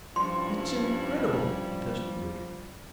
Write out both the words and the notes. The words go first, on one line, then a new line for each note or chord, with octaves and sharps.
"It's incredible!" protested Richard.
G2 F3 G3 C#4 E4 C6